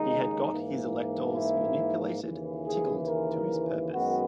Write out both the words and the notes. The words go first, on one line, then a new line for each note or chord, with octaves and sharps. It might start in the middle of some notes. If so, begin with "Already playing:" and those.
He had got his electors manipulated, tickled to his purpose.
Already playing: D#2 C#3 G#3 D#4
G#2 E3 A#3
E4
D#2 C#3 E3
G#4
A#4
F#2 D#3 G#3 B3 F#4